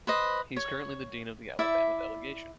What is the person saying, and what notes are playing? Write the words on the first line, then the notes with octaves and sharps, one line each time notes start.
He is currently the dean of the Alabama delegation.
B4 C5 D#5
C#5
E4 D5 E5